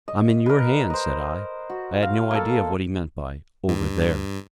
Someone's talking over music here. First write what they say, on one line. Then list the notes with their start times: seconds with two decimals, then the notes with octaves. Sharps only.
"I'm in your hands," said I. I had no idea of what he meant by "over there."
0.08 D#5
0.46 A#4 B4
0.90 C5 D#5
1.70 F#4
2.03 F5
2.31 A#3 A4
3.68 G2